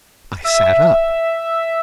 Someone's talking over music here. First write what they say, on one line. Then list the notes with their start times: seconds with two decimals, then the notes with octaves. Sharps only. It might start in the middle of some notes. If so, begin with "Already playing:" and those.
I sat up.
0.44 E5